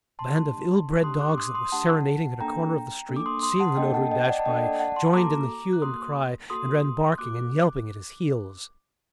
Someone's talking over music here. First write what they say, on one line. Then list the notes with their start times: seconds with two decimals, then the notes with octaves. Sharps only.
A band of ill-bred dogs, that were serenading at a corner of the street, seeing the notary dash by, joined in the hue and cry, and ran barking and yelping at his heels.
0.19 A5 C6
0.36 A3 D4 G4
0.93 F#6
1.04 A3 D4 G4 C6 D#6
1.21 D6 F#6
1.38 C6 D#6
1.55 C6 D#6
1.72 A3 D4 G4 F#5 A5
2.40 A#3 D4 A4 G5 A#5
3.09 A#3 D4 A4
3.16 D6
3.26 C6 D#6
3.43 C6 D#6
3.60 F#5 A5
3.77 A#3 D4 A4 D#5 G5
3.94 F#5 A5
4.11 D#5 G5
4.28 D5 F#5
4.39 A5
4.45 A#3 D4 A4 D#5 G5
4.62 D5 F#5
4.79 F#5 A5
4.96 A5 C6
5.13 A#3 F#4 A4 A#5 D6
5.73 F#6
5.81 A#3 F#4 A4 C6 D#6
6.50 A#3 F#4 A4 C6 D#6
7.18 A#3 F#4 A4 D6 F#6